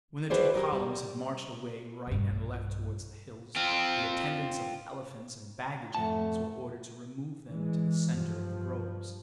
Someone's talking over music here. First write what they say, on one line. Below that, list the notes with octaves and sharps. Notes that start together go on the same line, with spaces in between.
When the two columns had marched away right and left towards the hills, the attendants of the elephants and baggage animals were ordered to remove them into the centre of the groves.
E3 F#4 G#4 B4 C5 D5
F#3 G4 A#4
G3
B1 G2
C4 F4
F2 A3 F#5 A5
E3 G#3
G2 F3